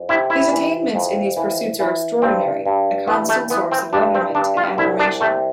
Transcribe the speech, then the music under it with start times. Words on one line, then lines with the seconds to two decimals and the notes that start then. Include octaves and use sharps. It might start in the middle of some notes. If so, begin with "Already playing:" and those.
His attainments in these pursuits are extraordinary; a constant source of wonderment and admiration.
Already playing: F2
0.09 C3 E4
0.30 E4
0.52 E3
0.95 F2
1.37 E3
1.79 E3
2.22 G2 C4
2.66 G2
3.07 E3 B3
3.29 A3
3.50 E3 B3
3.72 C4
3.93 G2 D4
4.15 C4
4.35 G2 D4
4.57 F4
4.78 C2 E4
4.99 D4
5.20 C3 A3